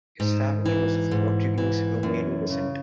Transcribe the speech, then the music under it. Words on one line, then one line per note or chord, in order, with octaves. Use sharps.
His family was of Portuguese Romani descent.
G#2
E3
G#2
E3
F#2
C#3